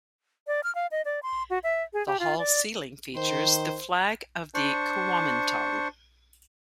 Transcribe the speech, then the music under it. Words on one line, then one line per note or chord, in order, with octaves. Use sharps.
The hall's ceiling features the flag of the Kuomintang.
D5
F6
F5
D#5
D5
C6
F#4
E5
G#4
G4
F4
D5
D#3 C5
D4 C5 C#6